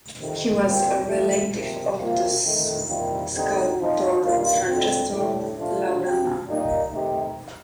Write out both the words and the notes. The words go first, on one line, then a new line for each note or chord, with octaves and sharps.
He was a relative of the sculptor Francesco Laurana.
F2 C3 D#3
A#2 G3 C4 G4
G2 F3 A3
C3 F3 A#3
C3 F3 A#3 F4
F2 D#3 A3
C3 D#3 G3 A#3 F4
D3 G3 C4 D#4 G4
F3 C4 D#4
G2 D#3 A#3 F4
F2 D3 F3 C4
A2 A3 D4 G4
F3 A3 D4 F4
F3 C4 G4
A#2 G3 A#3 D#4 G4
C3 D#3 A3 D#4 G4